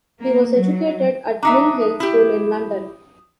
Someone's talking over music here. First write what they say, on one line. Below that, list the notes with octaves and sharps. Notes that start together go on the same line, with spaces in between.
He was educated at Mill Hill School in London.
A#3
F#3
D4 D#4 E5 A#5 D6
D#6
E4 G4